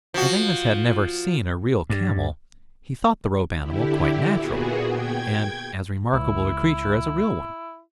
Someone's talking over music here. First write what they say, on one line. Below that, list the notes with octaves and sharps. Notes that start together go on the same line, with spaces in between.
As Amos had never seen a real camel, he thought the rope animal quite natural, and as remarkable a creature as a real one.
F3 F#4
G2
D3 E4 G4
A#2 B3 F#4 G#4
G5 G#6
C#2 E4